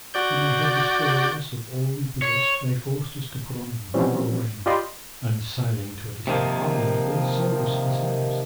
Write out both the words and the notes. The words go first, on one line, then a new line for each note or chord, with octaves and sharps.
When they had despoiled us of all we possessed, they forced us to put on vile raiment, and sailing to a distant island there sold us for slaves.
F#4 D5 G6
C#5
E3 F3 G3 C4 C#4
F4 G4 D5 D#5 B5 C6
C3 D#3 F3 A#3